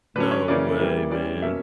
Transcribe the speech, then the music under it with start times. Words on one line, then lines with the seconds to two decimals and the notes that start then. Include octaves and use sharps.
No way, man.
0.16 D3 F#3 C#4 B4
0.31 C#5
0.48 C#3 E3 A#3 C#4 D5
0.80 E3 G3 A#3
1.10 E3 G3 C#4 D5
1.42 B2 A#3 C#4 E5